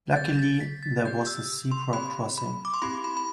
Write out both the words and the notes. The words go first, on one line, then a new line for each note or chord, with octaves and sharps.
Luckily there was a zebra crossing.
A6
C4 G4 G6
A6
B6
A6
C4 G4 G6
E6
C6
C4 G4 B5
B5
D6
C6
C4 E4 G4 B5
B5
B5